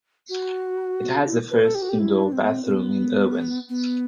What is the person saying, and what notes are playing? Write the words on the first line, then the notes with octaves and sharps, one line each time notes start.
It has the first indoor bathroom in Erwin.
F#4
E4
B4
A4
G4
F#4
G4
E4
D4
C4
B3
C4
C4
B3
B3